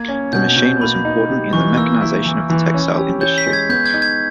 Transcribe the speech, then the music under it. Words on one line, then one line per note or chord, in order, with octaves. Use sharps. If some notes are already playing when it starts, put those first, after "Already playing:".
The machine was important in the mechanization of the textile industry.
Already playing: A#3 G#6
C#4
B2 G6
B2 G6
A#3 B5
D#4
G4
E3 C#6
A#3 E6
E4
E3
E3
C#4
G4
C#5 G6
B6
G#3
G#6
B3 G6
G#6
D#4
G#6